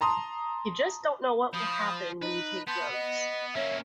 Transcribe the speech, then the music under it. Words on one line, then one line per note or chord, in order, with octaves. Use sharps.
You just don't know what will happen when you take drugs.
A5 A#5 C6 D#6
F3 B5 D#6 G6
D#4 B4
B3 A5 C6 G6
D#5
A#3 C#4 C#5 E5